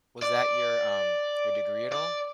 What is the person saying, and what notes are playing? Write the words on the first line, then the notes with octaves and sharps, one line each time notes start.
was that your, um, your degree at all
D5
D5